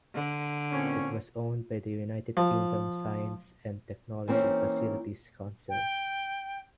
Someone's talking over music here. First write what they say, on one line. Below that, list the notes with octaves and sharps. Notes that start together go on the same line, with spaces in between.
It was owned by the United Kingdom Science and Technology Facilities Council.
D3
A#2 C4 C#4
F3
E3 A#3 C4 C#4 D#4
G5